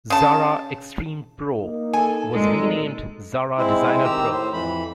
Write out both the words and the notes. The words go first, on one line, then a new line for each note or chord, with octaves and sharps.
"Xara Xtreme Pro" was renamed "Xara Designer Pro".
C#3 A5
A#3 D#4
A4 G#5
G#1 A#2 G#3 D#4
G#3 C4 E4
D#3 G4 A#5 E6
A2 C5
F2 E3 B5